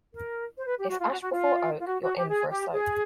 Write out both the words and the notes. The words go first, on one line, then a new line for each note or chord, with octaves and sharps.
If ash before oak, you're in for a soak.
A#4
C5
B4
G4
F#4
F4
F#4
F#4
F4
F4
F#4
F#4
G4
G#4
G4
G#4